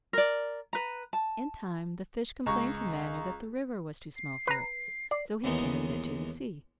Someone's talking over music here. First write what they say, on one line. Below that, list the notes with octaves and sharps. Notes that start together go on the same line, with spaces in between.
In time the fish complained to Manu that the river was too small for it, so he carried it to the sea.
A#4 D5
B4 A#5
A5
C#2 A#5 C#6
C7
B4 A#5
D5 C7
D#2 C#3 E3 G#3 B3 D#4